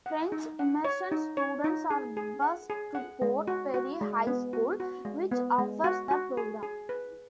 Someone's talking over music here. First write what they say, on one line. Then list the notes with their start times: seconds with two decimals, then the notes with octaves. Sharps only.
French Immersion students are bused to Port Perry High School, which offers the program.
0.06 F#5
0.32 D#4
0.59 F#5
0.85 C#5
1.12 D#4
1.37 C#5
1.64 D#4
1.90 G#4
2.17 G#4
2.42 F#5
2.70 G#4
2.95 F#5
3.22 G#3
3.47 F#4
3.74 F#4
4.01 G#3
4.27 B3
4.53 F#4
4.80 F#4
5.05 G#3
5.31 B3
5.58 G#3
5.84 F#4
6.11 F#4
6.37 G#4
6.63 G#4
6.89 B4